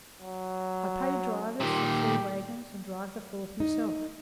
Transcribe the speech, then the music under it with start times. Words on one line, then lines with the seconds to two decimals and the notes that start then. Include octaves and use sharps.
I pay drivers for three waggons and drive the fourth myself.
0.21 F#3
1.61 A#2 D#3 G4
3.60 D#4